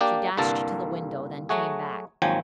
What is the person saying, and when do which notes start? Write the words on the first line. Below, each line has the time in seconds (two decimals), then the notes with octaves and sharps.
She dashed to the window, then came back.
0.01 A#3 D4 G4 D5
0.37 C2 G2 D3 A#3 A4 A5
1.49 F#3 A3 F#4 G#4
2.22 G#1 D#2 F3 F#3 G5 G#5